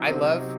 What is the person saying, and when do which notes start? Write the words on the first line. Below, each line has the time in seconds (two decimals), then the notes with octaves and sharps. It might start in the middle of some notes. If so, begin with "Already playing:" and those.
I love
Already playing: C3 F#3 D#4
0.10 C4